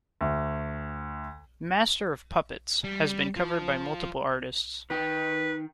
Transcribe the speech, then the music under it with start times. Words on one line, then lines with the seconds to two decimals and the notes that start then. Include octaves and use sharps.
"Master of Puppets" has been covered by multiple artists.
0.21 D2
2.84 G3
3.36 F3
4.90 D#3 D#4 B4 G5